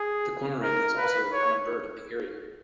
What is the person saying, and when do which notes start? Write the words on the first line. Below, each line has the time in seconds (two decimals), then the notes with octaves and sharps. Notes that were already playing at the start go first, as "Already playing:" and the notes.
The cormorant is also a common bird in the area.
Already playing: G#4
0.63 A#4
0.98 B4
1.33 C#5